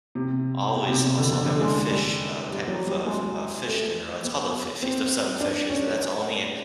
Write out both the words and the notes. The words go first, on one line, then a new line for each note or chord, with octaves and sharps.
always also have a fish, uh, type of, uh, a a f fish dinner it's called a F Feast of Seven Fishes, so, that's only
C3
B2
C3
D3
D3
D3
G#3
G#3
G3
G3
F#3
G3
G#3
A3
B3
C4
D4
C#4